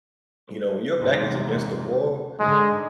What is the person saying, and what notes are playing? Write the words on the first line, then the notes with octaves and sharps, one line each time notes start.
you know, "When your back is against the wall,
E2 G#2 C3
G#2 D3 G#3